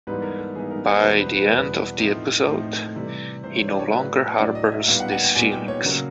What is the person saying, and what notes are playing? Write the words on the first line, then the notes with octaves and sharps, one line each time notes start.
By the end of the episode, he no longer harbors these feelings.
G#2 E3 G3 B3 D#4 B4
A#4
A4
G#2 E3 G3 B3 D#4 G#4
A#4
C5
B4
E2 B2 G3 C5
B4
B4
E2 B2 G3 B4
A2 F3 A3 C4 D#4
A2 F3 A3 C4 D#4
C3 E3 G3
C3 E3 G3 C5
C#5
D5
C#5
A2 F#3 A3 D4 B4
A2 F#3 A3 D4 D5
D#5
D#5
E5
A#2 G3 B3 D#4 F5
F#5
F#5
G5
A#2 G3 B3 D#4 G#5
G5
C#5
C#3 F#3 A#3